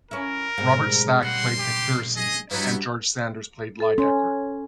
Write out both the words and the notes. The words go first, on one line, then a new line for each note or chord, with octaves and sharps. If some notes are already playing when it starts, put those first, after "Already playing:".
Robert Stack played McPherson and George Sanders played Lydecker.
C#4 E4 A#4
G#2 G3
G3 A#3 C4 F#5 C6
G4
G#4 D#5
G2 F#3 B3 D#4 E4
A4
C#4 C6